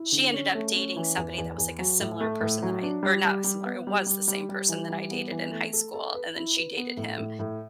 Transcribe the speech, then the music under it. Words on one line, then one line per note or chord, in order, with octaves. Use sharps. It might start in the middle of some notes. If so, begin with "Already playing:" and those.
she ended up dating somebody that was, like, a similar person that I or not similar, it was the same person that I dated in high school, and then she dated him
Already playing: E4
D3
C#4
A3
C#4
E3
E2
E2
E2
F#3
A2
A3
A2
F#3
D4
G3
G3
G3
B3
G3
G3
G3
G3
E3
G3
B3
E3
A3
A4
A4
B4
E4
B4
B3
A2
A2
A2